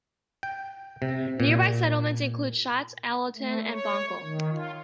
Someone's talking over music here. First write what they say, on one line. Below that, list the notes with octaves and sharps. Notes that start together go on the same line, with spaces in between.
Nearby settlements include Shotts, Allanton and Bonkle.
G5
C3
A#2
A3
C#5
D#3
F4